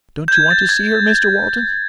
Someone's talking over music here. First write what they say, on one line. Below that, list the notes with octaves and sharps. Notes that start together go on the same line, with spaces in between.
"Don't you want to see her, Mr Walton?"
G6
G#6
A6
G#6